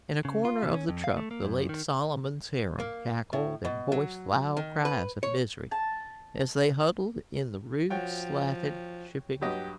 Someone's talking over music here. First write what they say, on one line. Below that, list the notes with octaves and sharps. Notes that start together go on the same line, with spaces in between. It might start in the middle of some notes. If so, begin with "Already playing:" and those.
In a corner of the truck, the late Solomon's harem cackled and voiced loud cries of misery as they huddled in the rude, slatted shipping coop.
C#3
F4
C3
C#4
F2
F5
A3
A#3
F#2
D#3
A#3
A2
B2
F#3
D#3
B4
C#5
A5
F3 F#4 C#5 G5
G2 F#3 G4 D#5